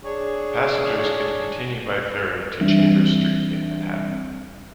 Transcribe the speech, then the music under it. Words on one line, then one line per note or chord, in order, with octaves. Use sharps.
Passengers could continue by ferry to Chambers St in Manhattan.
D4 G#4 C#5
E3 G3 C4 D4 E5